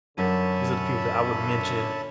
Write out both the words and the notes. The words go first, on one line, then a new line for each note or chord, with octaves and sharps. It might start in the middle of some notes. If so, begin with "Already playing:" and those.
These are the people that I would mention
F#2 D3 C#4 E5 A5 B5